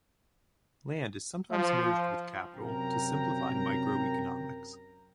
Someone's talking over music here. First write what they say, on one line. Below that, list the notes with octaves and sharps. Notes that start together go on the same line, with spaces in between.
Land is sometimes merged with capital to simplify micro-economics.
F3
F#2 C3 A#4 G5 A#5